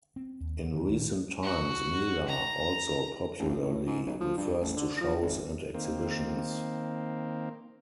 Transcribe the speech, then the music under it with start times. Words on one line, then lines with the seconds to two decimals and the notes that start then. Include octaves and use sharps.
In recent times "Mela" also popularly refers to shows and exhibitions.
0.16 C4
0.40 D#2
0.74 D#3 E3 C4
0.89 C#2 A2 D#3
1.43 F#4
2.28 A#5
3.39 A1
3.62 A2
3.87 G#2
4.06 B1
4.20 F3
4.37 G2
4.61 A1
4.77 D3
5.01 F3
5.22 G#1
5.74 D#3 A#3 C4